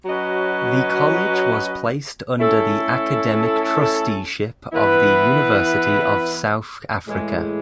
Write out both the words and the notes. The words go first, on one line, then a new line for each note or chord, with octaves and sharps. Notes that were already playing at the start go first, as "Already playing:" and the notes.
The College was placed under the academic trusteeship of the University of South Africa.
F#3 C#4 F#4 B4 D#5
A3 C#4 E4 A4
E3 B3 E4 B4
A2 E3 G#3